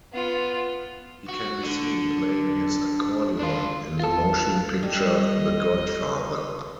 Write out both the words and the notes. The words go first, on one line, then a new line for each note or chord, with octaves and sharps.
He can be seen playing his accordion in the motion picture The Godfather.
B3 F4
F#4
D3
D4 F4
F4 A4
G3 D#5